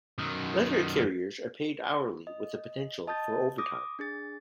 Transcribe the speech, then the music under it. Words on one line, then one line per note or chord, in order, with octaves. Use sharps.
Letter carriers are paid hourly with the potential for overtime.
F#2 D#3
D#5
D#5 A5 D#6 G6 A6
D6 D#6 A#6
D4 G#4 A6